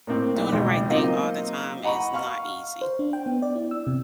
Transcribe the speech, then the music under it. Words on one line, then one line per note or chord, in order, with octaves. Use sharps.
doing the right thing all the time is not easy,
A2 A#3 C4
B1 G3
G#1 C#2 B2 G5
F#3 A#3 C4 D#4 F4 D#5
D#5 F#5 A#5 B5 C#6
F5 C#6 F6
C5
D4
G5
B3
D5
E4
E6
C3